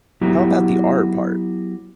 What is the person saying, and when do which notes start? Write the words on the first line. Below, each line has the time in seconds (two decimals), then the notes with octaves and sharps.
How about the R part?
0.21 F#3 B3 E4 F#4 G4 A#5